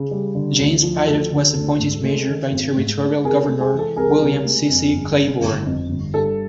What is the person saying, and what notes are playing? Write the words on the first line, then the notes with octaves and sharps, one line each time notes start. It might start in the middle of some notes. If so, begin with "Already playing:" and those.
James Pitot was appointed mayor by Territorial Governor William C. C. Claiborne.
Already playing: C#3
G3
D3
D2
F3
D2 A4
D3
D2
G#2
G#3
D#3
G#1
G#2
G#3
C3 G#4 A#4
A4
G#3
G#4
E3
A4
C2 G#4 A#4
C3
G#3
F2
G1
C#3
G1
F2
G1
G2 A4